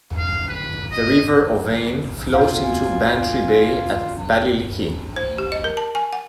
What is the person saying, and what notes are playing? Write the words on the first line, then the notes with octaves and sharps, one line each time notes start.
The River Ovane flows into Bantry Bay at Ballylickey.
F5
B4
D#5
D2 B2 F4 F5 F#5 G#5 G6
C5
G4
D#5
A#4
A5
G#5
F#5